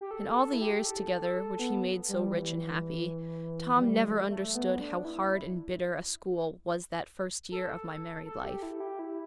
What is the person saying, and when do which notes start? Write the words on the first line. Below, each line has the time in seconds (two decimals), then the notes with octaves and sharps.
In all the years together, which he made so rich and happy, Tom never understood how hard and bitter a school was that first year of my married life.
0.01 G4
0.11 A4
0.35 A4
0.53 E4
0.61 G4
0.85 A4
1.23 A4
1.59 B3
2.09 G3
2.33 E3
3.76 E3
3.81 G3
4.06 A3
4.30 A3
4.55 B3
4.80 D4
5.05 E4
7.52 A4
8.26 A4
8.44 G4
8.63 E4
8.80 G4
8.99 E4